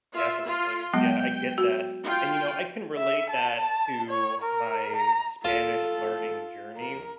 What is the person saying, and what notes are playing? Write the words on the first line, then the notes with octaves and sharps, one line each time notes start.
Definitely. Yeah, I get that. And, you know, I can relate that to my Spanish learning journey
F4 E5
F4
F#3 G#3 B3 G5
F#4
F4 G5
E5
A5
A5
C#5
A#4
A#5
F4 A4 A5
A#4